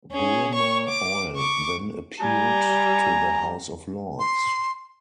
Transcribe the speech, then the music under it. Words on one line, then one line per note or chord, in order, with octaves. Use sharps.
Burmah Oil then appealed to the House of Lords.
C#4 G#4
C#5 C#6
D6
C#6 D6
G3 G#5 A#5
C6